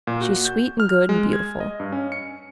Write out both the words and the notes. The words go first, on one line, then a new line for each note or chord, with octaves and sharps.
She's sweet and good and beautiful.
A#2
F#4
G6
F6
G#3
G#6
D#5
G2
C#4
C#7